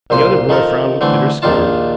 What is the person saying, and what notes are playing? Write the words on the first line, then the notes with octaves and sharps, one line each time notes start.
The other boy frowned with bitter scorn.
C2 A#2 C5 C6
D#3 F3 A4 A#4
D3 E3 A3 C4
A#1 D#2 D#3 D4 F4 A5